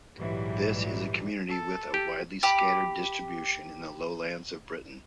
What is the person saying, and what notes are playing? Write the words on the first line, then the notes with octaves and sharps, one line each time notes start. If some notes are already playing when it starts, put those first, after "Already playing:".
This is a community with a widely scattered distribution in the lowlands of Britain.
A#1 G#2 E3 F#3 G3
A4
G4
G4 B5